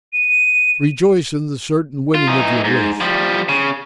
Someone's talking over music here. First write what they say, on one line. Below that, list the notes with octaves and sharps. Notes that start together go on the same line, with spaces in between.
Rejoice in the certain winning of your wish!
D#7
F4
E3 D#4
G#2
F3 G3
C#3